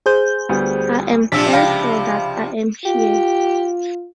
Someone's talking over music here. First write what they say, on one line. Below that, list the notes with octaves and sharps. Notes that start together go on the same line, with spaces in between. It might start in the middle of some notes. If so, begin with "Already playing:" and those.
I am thankful that I am here.
G#4 C5 G6
D2 G3 B3
A#1 C3 F3 D4 E6 B6
C#2 F5 G5 B5 A#6
F4 G4